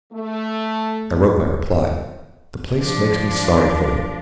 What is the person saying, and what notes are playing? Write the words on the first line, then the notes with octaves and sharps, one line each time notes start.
I wrote my reply: "The place makes me sorry for you."
A3
F3 D4